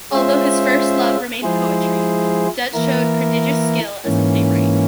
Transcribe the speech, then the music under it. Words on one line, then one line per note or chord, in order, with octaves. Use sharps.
Although his first love remained poetry, Dutt showed prodigious skill as a playwright.
G#3 C#4 F4 C5 E5
F3 G#3 E4 G#4 C5
E3 A#3 E4 A#4
G#2 E3 A#3 C#4